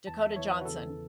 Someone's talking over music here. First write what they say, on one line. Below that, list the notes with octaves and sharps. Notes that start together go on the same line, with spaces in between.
Dakota Johnson.
E2 E3 A5
E5
E2 E3 C#5
B4
F#4
E2 C#3 E3 A4